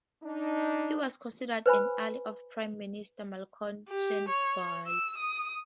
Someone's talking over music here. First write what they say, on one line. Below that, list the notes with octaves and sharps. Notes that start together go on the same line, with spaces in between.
He was considered an ally of Prime Minister Malcolm Turnbull.
D4 D#4
B4 C5 G#5 B5
G4
C#5
E6
D#6